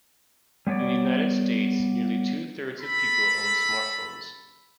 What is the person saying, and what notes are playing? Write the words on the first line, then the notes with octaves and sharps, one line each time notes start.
In the United States, nearly two-thirds of people own smartphones.
G3 B3 G#4 C#5 D5
A4 B5